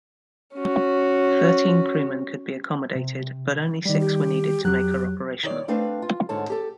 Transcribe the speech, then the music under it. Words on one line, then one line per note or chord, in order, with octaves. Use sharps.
Thirteen crewmen could be accommodated, but only six were needed to make her operational.
C#4 F#4
C3
D#3 G3 D5
G4
F2 F#3 G4 F#6
D#3 C#5 D5
A3 C4 D4 B4 F5
F4
G#2 D3 C#5 A5
G4 A4